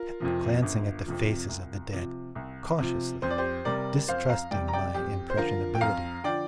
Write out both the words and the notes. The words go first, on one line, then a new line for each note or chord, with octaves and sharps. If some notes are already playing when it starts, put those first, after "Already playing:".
I kept glancing at the faces of the dead cautiously, distrusting my impressionability.
Already playing: F4 A#4
F2 C3 F3
G1
F2 C3 F3
C2
C3 F3
C2
C3 F3
F2 C5
D5
G4 C5
C3 G3 A#4 D5
F2 C5 F5
F5 A#5
C3 G3 D5 G5
A#5
D5 G5
F2 G4
C5
D3 F3 F4 A#4
G5
F2 F5 A#5
D3 F3 D5 G5